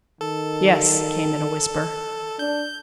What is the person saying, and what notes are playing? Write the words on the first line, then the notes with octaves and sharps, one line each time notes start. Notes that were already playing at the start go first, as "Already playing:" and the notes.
"Yes," came in a whisper.
D#3 A4
D4 G6